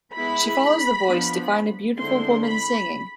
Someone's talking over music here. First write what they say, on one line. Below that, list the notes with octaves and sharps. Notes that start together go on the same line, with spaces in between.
She follows the voice to find a beautiful woman singing.
G#3 B3 E4 B5
F3 B3 D4
D3 G#3 C4 E4 C6
B5